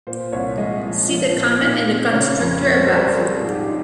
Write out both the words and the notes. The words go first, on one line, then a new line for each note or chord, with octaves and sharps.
See the comment in the constructor above.
A#2 C5
C2 C#5
G#3 D#5
F3
F3
A#2
D#4 F5
C4
C#3 C#5
F2
C4 C#5
C5
G3 A#4
C5
F3 G#4
G#4
G#2
G4
D#4